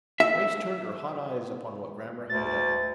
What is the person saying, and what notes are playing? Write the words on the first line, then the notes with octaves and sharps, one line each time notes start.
Grace turned her hot eyes upon what Grammer held up.
E5
D2 A6